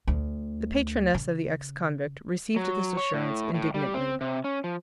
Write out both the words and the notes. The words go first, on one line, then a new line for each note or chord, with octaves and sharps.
The patroness of the ex-convict received this assurance indignantly.
D2
C#3
F#3
C#5
A2
A2
G3
C4
C3
C#4
F3